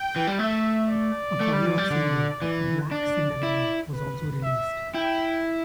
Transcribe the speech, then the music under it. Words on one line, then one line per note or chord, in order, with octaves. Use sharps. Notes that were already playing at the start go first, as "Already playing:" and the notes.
A follow-up single, "Black Cinderella" was also released.
Already playing: G5
E3
G3
A3 E5
D5
A3
G3
E3
G3
D3
E3
D4 D5
E4
B4
E5
E4 G5